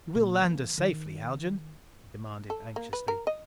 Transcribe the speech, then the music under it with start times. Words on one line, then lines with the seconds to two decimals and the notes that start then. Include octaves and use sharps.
"You will land us safely, Haljan?" he demanded anxiously.
0.15 A#2
0.41 E3 A#3
0.78 D#3
2.50 A4
2.76 A#3
2.93 B4
3.08 A#4
3.27 D#5